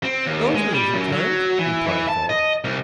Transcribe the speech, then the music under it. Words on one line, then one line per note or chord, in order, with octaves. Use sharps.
"Those are easy terms," replied Falk.
C4
D#2
G#3
G3
F#2
F#3
E3
E3
A5
D#5
C2